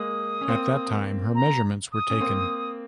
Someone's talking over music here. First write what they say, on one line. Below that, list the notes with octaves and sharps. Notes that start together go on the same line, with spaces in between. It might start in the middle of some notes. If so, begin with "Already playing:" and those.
At that time her measurements were taken.
Already playing: G#3 A#3 D#6
C#4
A#3 C4
A#5
D#6
C#4
A#3 C4